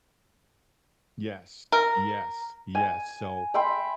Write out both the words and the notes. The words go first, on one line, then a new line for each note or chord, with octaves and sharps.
yes, yes, yes, so,
A#4
G#5
E5 G5 B5 C6